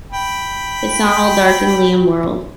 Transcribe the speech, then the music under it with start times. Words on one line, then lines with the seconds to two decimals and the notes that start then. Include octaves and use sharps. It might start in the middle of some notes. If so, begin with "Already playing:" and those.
It's not all dark in Liam World.
0.11 G5 B5